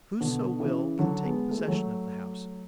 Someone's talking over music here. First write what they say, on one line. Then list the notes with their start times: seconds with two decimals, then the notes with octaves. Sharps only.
Whoso will can take possession of the house.
0.21 B2 D3
0.60 C#3 E3
0.99 D3 F#3
1.25 G#3 B3
1.51 A3
1.59 G#3
1.68 F#3 A3